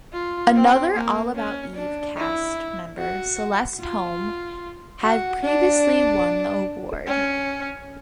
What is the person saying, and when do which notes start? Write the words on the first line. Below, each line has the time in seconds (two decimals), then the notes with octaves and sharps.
Another "All About Eve" cast member, Celeste Holm, had previously won the award.
0.13 F4
0.54 C4
0.94 A#3
1.35 C#4
1.75 D4
2.17 E4
2.98 F#4
3.80 F4
5.02 F#4
5.43 D4
7.06 C#4